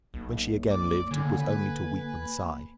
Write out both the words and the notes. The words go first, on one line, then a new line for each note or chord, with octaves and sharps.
When she again lived, it was only to weep and sigh.
B1 A#3
D5 D6
C#2 D3 G#5
B4